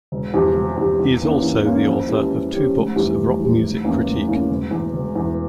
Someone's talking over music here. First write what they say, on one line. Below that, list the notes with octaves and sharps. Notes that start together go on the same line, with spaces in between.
He is also the author of two books of rock music critique.
E1
E2 C3 F3
E1
E2 C3 F3
E2
E3 A#3 C#4 F4
E2
E3 A#3 C#4 F4
F2
E3 G#3 C#4 G4
F2
E3 G#3 C#4 G4
F1
E2 E3 G3
F1
E2 E3 G3
F1
E2 E3 A#3 C#4
F1
E2 E3 A#3 C#4
E1
E2 E3
E1
E2 E3